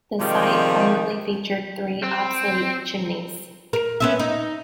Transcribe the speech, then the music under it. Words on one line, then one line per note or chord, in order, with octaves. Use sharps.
The site formerly featured three obsolete chimneys.
C3 D#3 F3 G3 G#3
C4
A#4
B3 C#4 E5
D#4